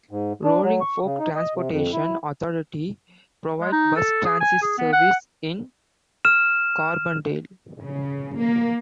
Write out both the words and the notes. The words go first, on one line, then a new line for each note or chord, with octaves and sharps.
Roaring Fork Transportation Authority provides bus transit service in Carbondale.
G#2
D4
F#3
C#6
C#3
D#4
D#5
C3
F2
E4
G#3
D#4
A4
G#4
G#5
G#4
B3
F#5
F6 E7
C#3
A#3